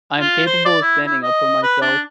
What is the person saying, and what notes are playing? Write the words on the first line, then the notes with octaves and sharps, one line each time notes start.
I'm capable of standing up for myself
F4
C5
D5
E4
E4
D#5
B4
D4